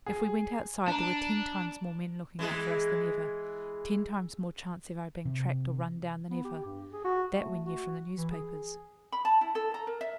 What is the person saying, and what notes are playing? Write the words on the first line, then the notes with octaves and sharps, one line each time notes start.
If we went outside there were ten times more men looking out for us than ever, ten times more chance of our being tracked or run down than ever. That we knew from the newspapers.
G#4
D4 A5 A#5
E3 G#3 G#4
C3
B3
G4
G2
G#4
F#4
A3
F#4
E3
G#4
B5
A5
E4
A4
A#5
A#4
E5